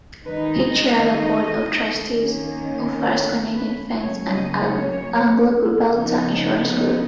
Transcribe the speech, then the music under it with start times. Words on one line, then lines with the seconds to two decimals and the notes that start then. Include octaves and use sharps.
He chaired the board of trustees of First Canadian Funds and AngloGibraltar Insurance Group.
0.25 D#3 G#3 D#4 B4
0.88 F5
1.19 D#5
2.13 D#3 A#3 C#4
3.07 C#5
3.54 B4
4.00 C#3 F#3 A#3 C#4 C#5
4.32 D#5
4.64 C#5
5.88 C#3 F3 B3 D#4